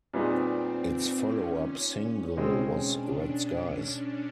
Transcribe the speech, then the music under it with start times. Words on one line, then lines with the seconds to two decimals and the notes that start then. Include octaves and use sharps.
Its follow-up single was Red Skies.
0.13 A#2 G3 B3 C4 D#4 G#4
1.26 C#4
2.37 B2 G#3 C4 C#4
2.92 D4